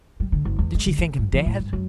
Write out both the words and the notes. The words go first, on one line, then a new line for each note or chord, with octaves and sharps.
Did she think him dead?
G3
D3
F#1
E2
G#3
D3
A3
G2
F3
A2
G2
F#2